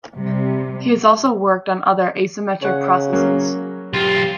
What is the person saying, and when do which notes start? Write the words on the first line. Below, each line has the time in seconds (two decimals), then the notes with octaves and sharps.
He has also worked on other asymmetric processes.
0.18 C3 G3
2.63 C#3 C#5 F#5
3.13 F#3 A#3 C#4
3.94 B1 F4 G4